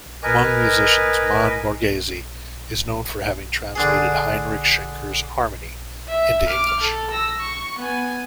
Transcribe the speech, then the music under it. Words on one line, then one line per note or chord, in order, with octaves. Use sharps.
Among musicians, Mann Borgese is known for having translated Heinrich Schenker's "Harmony" into English.
A#4 B4 D#5 G#5
D3 D4 G#4
E5
D6 F6
A4
E6 A#6
C#6
B3 G#5